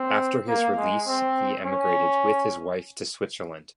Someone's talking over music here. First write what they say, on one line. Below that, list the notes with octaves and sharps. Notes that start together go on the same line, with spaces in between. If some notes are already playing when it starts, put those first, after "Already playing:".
After his release he emigrated with his wife to Switzerland.
Already playing: C4
A#3
G#3
C4
C#4